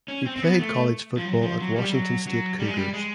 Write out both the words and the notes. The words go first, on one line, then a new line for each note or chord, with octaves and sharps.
He played college football at Washington State Cougars.
C#4
C4
C4
B3
A3
F3
F#3
F3
F#3
G3
G3
F#3
F#3
G3
G#3
G3
G#3